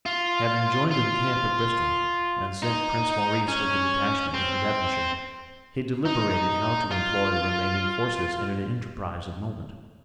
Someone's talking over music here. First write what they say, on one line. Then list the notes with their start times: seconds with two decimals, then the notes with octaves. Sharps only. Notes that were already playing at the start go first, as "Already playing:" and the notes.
Having joined the camp at Bristol, and sent Prince Maurice with a detachment into Devonshire, he deliberated how to employ the remaining forces in an enterprise of moment.
0.06 F4
0.91 F4
2.62 D#4
3.48 C#4
4.34 C4
6.05 D#4
6.91 F4